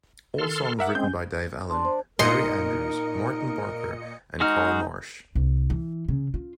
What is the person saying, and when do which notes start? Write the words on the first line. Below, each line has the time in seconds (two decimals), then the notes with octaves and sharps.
All songs written by Dave Allen, Barry Andrews, Martyn Barker and Carl Marsh.
0.38 D#3 A4 C6 F6
0.79 A#4 E5 F#5 D6
0.95 G#3 C4 C#4 G6
1.70 D4 C6
1.85 C5
2.19 A#2 D#4 A#4 D#5 C6 C#7
4.40 G#3 D#4 F#4 F6
5.35 C2
5.70 E3
6.08 C#3
6.34 F4